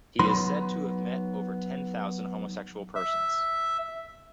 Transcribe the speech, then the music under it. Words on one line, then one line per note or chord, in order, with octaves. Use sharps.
He is said to have met over ten thousand homosexual persons.
F#3 B3 D#4 B5 C6
E5